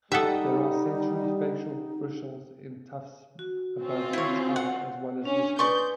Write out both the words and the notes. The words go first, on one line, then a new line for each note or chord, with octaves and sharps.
There are sensory facial bristles in tufts above each eye as well as whiskers.
G3 D#4 G4 A4 E5 F#5 D#6
F#4
C4 C#4 F4
E4 C#5
F#5
C#4 D4
B4 D5 G#5 C6 C#6 D#6 G6